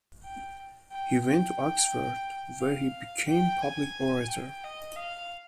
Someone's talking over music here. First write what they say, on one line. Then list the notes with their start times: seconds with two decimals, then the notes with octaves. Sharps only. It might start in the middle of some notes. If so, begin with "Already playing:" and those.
He went to Oxford, where he became Public Orator.
0.23 G5
0.91 G5
1.24 G5
2.60 F5
3.28 G5
3.61 G#5
4.29 G5
4.63 D#5
4.96 F5